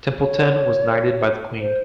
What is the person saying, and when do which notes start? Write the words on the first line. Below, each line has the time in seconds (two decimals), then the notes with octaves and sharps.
Templeton was knighted by the Queen.
0.21 C#5
1.61 C5